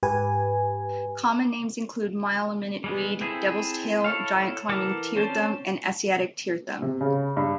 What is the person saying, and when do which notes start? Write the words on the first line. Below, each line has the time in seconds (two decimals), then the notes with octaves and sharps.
Common names include mile-a-minute weed, devil's tail, giant climbing tearthumb, and Asiatic tearthumb.
0.03 G#2 G4 B4 G#5
2.84 G3 G#3 B3
3.21 C4 E4 G#4 A4
4.04 E4 A4 C#5 F5
4.69 E3 A4 A#4 F#5 D6
5.15 C4 C#4 C5 D5 A5
6.82 C3
7.01 C#3
7.37 G2